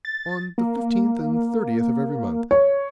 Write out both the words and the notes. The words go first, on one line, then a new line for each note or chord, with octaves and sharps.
"On the fifteenth and thirtieth of every month."
A6
A#3
C#5